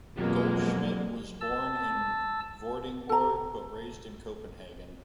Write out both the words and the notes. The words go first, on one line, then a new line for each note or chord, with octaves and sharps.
Goldschmidt was born in Vordingborg but raised in Copenhagen.
F2 B2 F#3 G#3 A#3 F#4 G4
A5 E6
A4 A#5